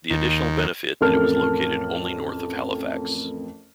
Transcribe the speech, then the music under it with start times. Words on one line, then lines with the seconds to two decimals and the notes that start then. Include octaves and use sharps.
The additional benefit that it was located only north of Halifax.
0.10 D#2
1.01 A1 F2 A4 A#4 A5 F6